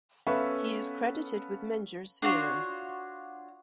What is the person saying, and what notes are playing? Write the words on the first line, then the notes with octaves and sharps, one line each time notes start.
He is credited with Menger's theorem.
B3 C#4 A4 B4 E5 F5
D4 F4 F#4 C#5